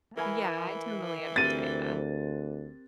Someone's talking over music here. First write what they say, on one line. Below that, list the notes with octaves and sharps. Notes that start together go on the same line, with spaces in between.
Yea Yeah I totally understand that.
E3 A#4 G#5 B5
D2 C4 G4 A#4 A6 D#7